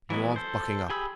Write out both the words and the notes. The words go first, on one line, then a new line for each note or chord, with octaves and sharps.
You want bucking up.
E3 F#3 G#3 B3
A4 C5
G4 G#4 B5 E6